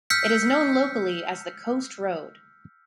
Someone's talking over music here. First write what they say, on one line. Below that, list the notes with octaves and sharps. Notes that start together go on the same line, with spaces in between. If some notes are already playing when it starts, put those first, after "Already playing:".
It is known locally as the Coast Road.
E6 F6 G6 B6 C#7